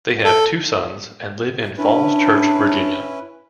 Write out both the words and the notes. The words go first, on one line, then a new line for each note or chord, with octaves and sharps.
They have two sons and live in Falls Church, Virginia.
A4
C#4 D4 E4 B4